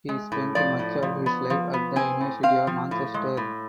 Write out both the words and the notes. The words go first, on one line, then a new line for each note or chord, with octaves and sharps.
He spent much of his life at the University of Manchester.
G#3
A2
F3 D5
A2
F3
B3
F3
B3
C4 G#5
A2
C4 F5
F3
A2
G#3
A2